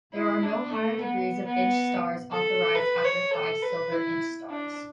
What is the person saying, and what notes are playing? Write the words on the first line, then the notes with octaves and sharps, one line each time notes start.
There are no higher degrees of inch stars authorized after five silver inch stars.
E4
D4
A3
B3
B3
A4
B4
C#5
A4
B4
E4
D4